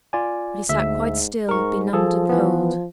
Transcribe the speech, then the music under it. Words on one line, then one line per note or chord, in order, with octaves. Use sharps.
But he sat quite still, benumbed and cold.
F4 D5 G#5
D2 G#2 E5
G#2 A#4 C#6
F3 G#4 A4
E3 B3